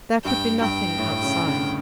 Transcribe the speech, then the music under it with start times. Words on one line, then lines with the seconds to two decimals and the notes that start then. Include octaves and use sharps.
There could be nothing outside.
0.25 G2 G5
0.61 G2 G5
0.98 A2
1.22 C#3
1.47 D3